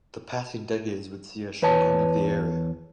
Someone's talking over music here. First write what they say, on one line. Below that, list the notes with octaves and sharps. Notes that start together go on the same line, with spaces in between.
The passing decades would see a shrinking of the area.
E2 B4 C#5 A5